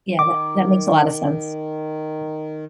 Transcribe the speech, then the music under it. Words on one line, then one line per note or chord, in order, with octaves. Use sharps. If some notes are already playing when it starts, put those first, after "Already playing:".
yeah, that that makes a lotta sense.
D#3 D6